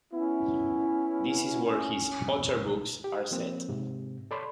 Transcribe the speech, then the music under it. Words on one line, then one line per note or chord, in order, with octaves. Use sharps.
This is where his "otter books" are set.
B3 C#4 E4
G4
F3 A#3 C4
G#2 C3
A4 C#5 D5 B5 C6